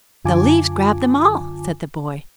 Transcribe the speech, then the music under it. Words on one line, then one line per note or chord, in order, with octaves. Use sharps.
"The leaves grabbed them all," said the boy.
F#2 D3 F4 G#5 A5 D6